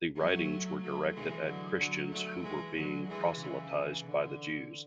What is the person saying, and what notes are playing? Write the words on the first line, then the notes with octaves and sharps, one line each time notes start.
The writings were directed at Christians who were being proselytized by Jews.
F#3 A3
F#3 A3
E3 G#3
D3 F#3
D3 F#3
F#3 A3
E3 G#3
D3 F#3
E3 G#3
C#3 E3
D3